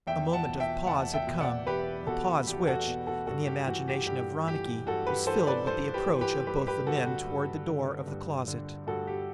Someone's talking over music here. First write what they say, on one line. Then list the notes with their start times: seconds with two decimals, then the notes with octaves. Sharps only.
A moment of pause had come, a pause which, in the imagination of Ronicky, was filled with the approach of both the men toward the door of the closet.
0.07 E2 E5 G5
0.33 F#5 A5
0.47 B2
0.60 E5 G5
0.87 E2 F#5 A5
1.13 E5 G5
1.27 B2
1.40 D5 F#5
1.67 E2 G4 B4
2.07 B2 F#4 A4
2.47 E2 G4
2.67 F#4 A4
2.87 B2
3.07 F#4 A4
3.27 G2 F#4 A4
3.47 G4
3.67 E3 F#4
3.88 G4
4.07 G2 G4
4.47 E3 G4
4.87 G2 F#4 A4
5.07 G4 B4
5.27 E3 A4 C5
5.47 B4 D5
5.67 G2 A4 C5
5.94 G4 B4
6.07 E3
6.21 G4 B4
6.47 G2 G4 B4
6.67 G4 B4
6.87 D3 F#4 A4
7.07 F#4
7.27 G2
7.67 D3
8.07 G2
8.48 D3
8.87 G2 F#4 A4
9.07 G4